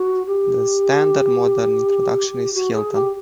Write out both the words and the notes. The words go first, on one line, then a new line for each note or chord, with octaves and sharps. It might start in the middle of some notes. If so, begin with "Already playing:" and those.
The standard modern introduction is Hilton.
Already playing: F#4
G4
F#4
G#4
G4